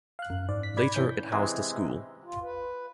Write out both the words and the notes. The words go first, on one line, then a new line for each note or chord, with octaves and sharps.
Later it housed a school.
F5 F#6
F#2
G#2 D5
B6
D5 B5 G#6
E3 C#4 G6
C3 E3 G#3
F4
B4